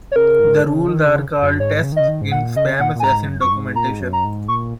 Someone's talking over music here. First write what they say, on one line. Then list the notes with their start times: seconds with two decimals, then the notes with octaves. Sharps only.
The rules are called "tests" in the SpamAssassin documentation.
0.12 C#5
0.16 C#3 A#4
0.40 G#2
0.64 C#3
0.89 D#3
1.06 C#3
1.42 F#2
1.60 G#2 C#5
1.84 C#3
1.92 D#3
1.96 C#3 D#5
2.08 D#3
2.22 G#2
2.32 A#2 F#5
2.56 C#3 D#5
2.80 A#2 F#5
2.95 A#2
3.00 G#5
3.04 G#2 A#5
3.28 F#2
3.41 F#2 C#6
3.52 G#2
3.76 A#2 A#5
3.90 G#2
4.00 F#2
4.13 A#5
4.25 G#2
4.48 A#2 C#6